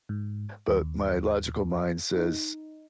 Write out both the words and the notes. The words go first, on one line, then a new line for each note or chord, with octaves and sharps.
But my logical mind says,
G#2
D#2
D#4